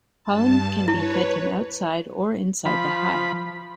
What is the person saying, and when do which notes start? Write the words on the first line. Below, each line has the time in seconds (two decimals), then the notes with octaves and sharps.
Pollen can be fed from outside or inside the hive.
0.24 G2 A5
0.88 E4 B4 C#5
2.66 F3 B5